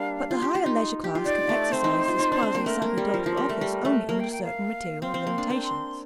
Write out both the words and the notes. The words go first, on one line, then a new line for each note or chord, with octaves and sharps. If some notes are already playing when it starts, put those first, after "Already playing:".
But the higher leisure class can exercise this quasi-sacerdotal office only under certain material limitations.
Already playing: G3 A#3 D4 F5
F4
G4
F4
D#4
G4
F4
D#4 D5
A3
C4 C5
D#4
F4
D#4
D4
C4
A#3
A3 A#4
A#3
G3
F3
F3
G3
A3
G3
A3
A#3 A#4
G5
G5
F5
C4 F5
C4
A#3
D4
C4 C6